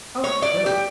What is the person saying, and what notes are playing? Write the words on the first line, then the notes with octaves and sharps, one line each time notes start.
Okay, great.
C#5
D5
G4